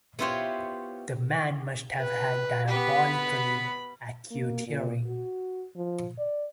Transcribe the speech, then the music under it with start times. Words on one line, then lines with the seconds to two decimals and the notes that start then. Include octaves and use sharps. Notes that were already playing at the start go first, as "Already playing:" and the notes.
The man must have had diabolically acute hearing.
0.19 B3 E4 F4 G4 C5 C#5
1.98 B4
2.68 B3 G4 B4
3.10 B5
4.31 A#3
4.67 A#2
5.06 F#4
5.76 F3
6.18 D5